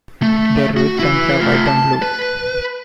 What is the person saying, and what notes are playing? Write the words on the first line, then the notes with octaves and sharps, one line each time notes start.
Their road signs are white on blue.
A3
F#4
E4 B4
A3 F4
A5
B4